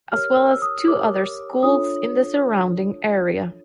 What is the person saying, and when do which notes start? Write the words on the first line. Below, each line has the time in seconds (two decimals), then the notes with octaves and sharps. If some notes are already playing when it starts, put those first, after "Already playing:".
As well as two other schools in the surrounding area.
0.12 G4 A#4 C#5 F6
0.37 E6
0.51 E6
0.62 D#6
0.88 G4 A#4 C#5 D6
1.63 D4 F4 A4 C#5 D#6